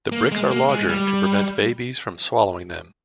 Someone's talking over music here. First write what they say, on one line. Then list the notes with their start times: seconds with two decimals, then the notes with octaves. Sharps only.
The bricks are larger to prevent babies from swallowing them.
0.12 A#3
0.32 G#3
0.51 A#3
0.70 G#3
0.89 G3